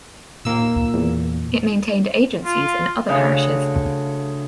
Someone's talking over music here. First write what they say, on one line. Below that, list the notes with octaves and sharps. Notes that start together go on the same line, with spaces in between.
It maintained agencies in other parishes.
D#2 A#2 A#3 E6
E2
F4
D2 C#3 F5 G6